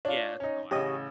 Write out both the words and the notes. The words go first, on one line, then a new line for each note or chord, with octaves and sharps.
Yeah, that's how I am.
D4 F4 C#5
C#4 D#4
A1 C#3 G4 C#5 D#5